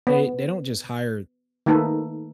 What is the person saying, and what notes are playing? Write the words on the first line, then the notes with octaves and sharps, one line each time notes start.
they they don't just hire
B3
D#3 A3 A#3 D#4 A4 B4